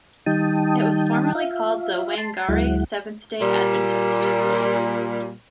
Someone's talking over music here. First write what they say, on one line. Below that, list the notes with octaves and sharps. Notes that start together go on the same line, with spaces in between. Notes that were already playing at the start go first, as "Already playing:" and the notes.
It was formerly called the Whangarei Seventhday Adventist School.
D#3 G3 D#4 G5 A5 D#6
F4 E5 F5
A5 C6
D2 F#3 G#3 E4 F#5
A#2 G3